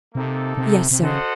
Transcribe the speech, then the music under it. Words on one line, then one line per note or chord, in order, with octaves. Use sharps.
"Yes, sir."
C3 A#3 D#4 A4
C3
C3
C#3 F#4 A4 C5 D#5 F#5